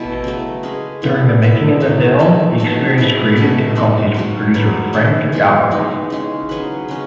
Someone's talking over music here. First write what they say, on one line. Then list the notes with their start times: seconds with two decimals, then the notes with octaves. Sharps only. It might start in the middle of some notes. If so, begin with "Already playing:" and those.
During the making of the film, he experienced creative difficulties with producer Frank Yablans.
Already playing: B2 E3 A3 C#4 E4
0.24 C#3 F#3 A3
0.63 G#3 C#4 G#4 B4
1.02 E3 B3 E4
1.42 G#3 B3 E4
1.80 F#3 A3 D#4
2.19 C#3 E3 A3 D#4
2.58 B2 F#3 A3 D#4
2.98 F#3 B3 E4 G#4
3.37 B2 A3 C#4 F#4
3.75 C#3 G#3 D#4 F#4
4.14 F#3 C#4 F#4
4.54 F#3 C#4 G#4 B4
4.93 D#3 A3 C#4 G#4
5.32 E3 G#3 B3 F#4
5.71 E3 G#3 D#4
6.10 C#3 G#3 C#4
6.49 F#3 C#4 G#4 B4
6.88 C#3 G#3 C#4